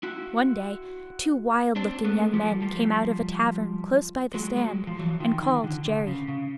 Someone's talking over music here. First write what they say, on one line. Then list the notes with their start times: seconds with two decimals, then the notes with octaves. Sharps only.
One day two wild-looking young men came out of a tavern close by the stand, and called Jerry.
0.03 E4 F#4
1.76 C4 D4
2.04 A3 B3
2.33 F3 G3
2.62 F3 G3
4.34 F#3 G#3
4.56 F#3 G#3
4.87 F3
4.99 E3 F#3
5.20 D#3 F3
5.43 D#3
5.64 D3
5.85 D3
6.07 C#3
6.28 C#3